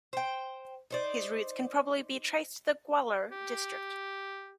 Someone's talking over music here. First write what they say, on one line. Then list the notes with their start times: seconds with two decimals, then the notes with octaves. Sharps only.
His roots can probably be traced to the Gwalior district.
0.13 C5 G5
0.91 D#4 C5 D5
3.31 G4